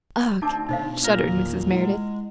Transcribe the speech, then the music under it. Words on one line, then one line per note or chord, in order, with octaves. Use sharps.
"Ugh!" shuddered Mrs. Merideth.
D2 C4 D#4 A5 D6
B2 D3 D#4 C5 F5
A#2 A#4
E2 D#3
G#3 E4 F#5